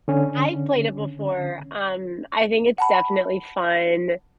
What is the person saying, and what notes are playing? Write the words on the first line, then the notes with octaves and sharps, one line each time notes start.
I've played it before, um, I think it's definitely fun.
D3 C#4
F#5 A5 B5